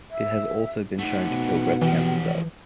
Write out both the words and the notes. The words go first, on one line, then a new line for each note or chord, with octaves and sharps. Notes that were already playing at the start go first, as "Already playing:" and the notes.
It has also been shown to kill breast cancer cells.
E5
A3 D#4 F#5
B2
E3 F3 G4